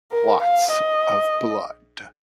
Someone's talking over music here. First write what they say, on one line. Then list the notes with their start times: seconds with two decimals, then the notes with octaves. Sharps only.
Lots of blood.
0.12 A#4
0.42 F5
0.73 D#5